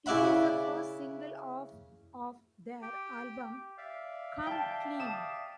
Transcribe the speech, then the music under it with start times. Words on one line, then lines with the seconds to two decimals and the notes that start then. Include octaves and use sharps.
It is the first single off of their album "Come Clean".
0.06 C#3 E4 D5 E5 F#5 B5
2.82 G4 G5
3.78 D5 E5 F5
4.47 G5 A5
4.99 A5 D#6 E7